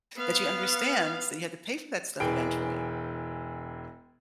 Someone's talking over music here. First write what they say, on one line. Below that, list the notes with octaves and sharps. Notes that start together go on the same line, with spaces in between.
that she understands that you had to pay for that stuff eventually,
B3 F5
E1 E3 G#4 G5 D7